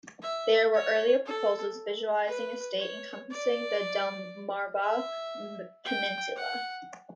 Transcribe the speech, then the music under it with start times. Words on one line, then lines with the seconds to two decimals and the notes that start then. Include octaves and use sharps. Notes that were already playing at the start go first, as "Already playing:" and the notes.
There were earlier proposals visualizing a state encompassing the Delmarva Peninsula.
0.22 E5
0.74 C#5
1.25 A4
2.27 B4
2.78 C#5
3.30 D5
4.83 E5
5.85 G5
6.36 F#5